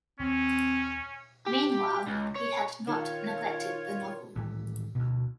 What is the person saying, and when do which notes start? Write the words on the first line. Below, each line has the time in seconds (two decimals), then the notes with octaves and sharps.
Meanwhile, he had not neglected the novel.
0.19 D#2 C4 C#4
1.46 G4
2.07 C#2
2.35 C#5
2.87 D#3 F4 C#5
4.36 A2 D#3 E3 G3
4.95 D2 B2